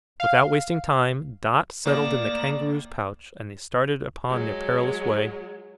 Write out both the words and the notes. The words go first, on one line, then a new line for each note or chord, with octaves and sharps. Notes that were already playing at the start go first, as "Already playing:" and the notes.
Without wasting time, Dot settled in the Kangaroo's pouch, and they started upon their perilous way.
F5
A2 A3 A#3 D5 A#5
F#3 G#3